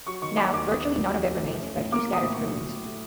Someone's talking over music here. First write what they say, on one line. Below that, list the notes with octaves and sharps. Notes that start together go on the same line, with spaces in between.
Now, virtually none of it remains, but a few scattered ruins.
F#3 C#6
D#3 C#6
A#3 D6
D#2 D6
D#3 D#6
D#2
F#3
F1
A3
F3
C#4
A2
A#3 D6
F3
D#6
A2
C#6
A2
F#3
A2
A3